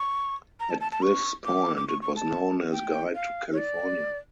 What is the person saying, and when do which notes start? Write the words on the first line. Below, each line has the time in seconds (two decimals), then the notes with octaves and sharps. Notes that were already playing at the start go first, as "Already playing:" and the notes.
At this point it was known as "Guide to California".
Already playing: C#6
0.60 A#5
0.70 A5
0.81 A5
0.92 A5
1.02 C#6
1.45 D6
1.76 D6
1.88 C#6
2.02 C#6
2.16 A5
2.72 G5
3.15 F5
3.53 C#5
3.58 D5